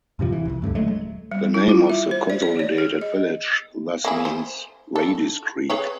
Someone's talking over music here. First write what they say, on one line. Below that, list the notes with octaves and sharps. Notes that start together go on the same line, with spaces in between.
The name of the consolidated village, thus means "Radi's Creek".
E2 G2 C3 F3
E3
D#1 C2
D2 G2 B2 D3
D#1 F#3 G#3 A3
G3
E4
F4
E5
C5
D5
D5
C#5
G#4
D#5
A#3 E4 G#4
C5
A4
G#4 B4 C#5